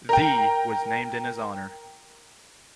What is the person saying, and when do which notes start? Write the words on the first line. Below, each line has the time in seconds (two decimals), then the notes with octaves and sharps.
The was named in his honor.
0.09 A#4 G5